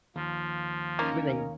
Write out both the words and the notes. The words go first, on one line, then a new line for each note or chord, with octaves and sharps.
when they
D#2 F3
A#3 C#4 D#4 A#4